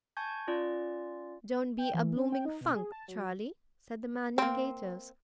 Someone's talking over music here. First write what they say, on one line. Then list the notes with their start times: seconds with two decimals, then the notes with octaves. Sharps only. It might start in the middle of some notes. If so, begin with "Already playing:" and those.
"Don't be a bloomin' funk, Charlie," said the man in gaiters.
0.17 G#5 A5 C#6 G6 G#6
0.47 C#4 F4 D5
1.78 G5
1.94 E3
2.16 C#4
2.32 G5
2.45 D#4
2.61 B2
2.76 G#4
2.92 A5
3.08 F#3
4.38 A#3 C4